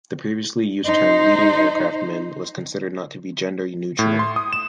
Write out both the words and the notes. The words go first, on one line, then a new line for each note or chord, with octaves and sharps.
The previously used term "leading aircraftman" was considered not to be gender neutral.
D#4 C5
A2
C6
D#6
E7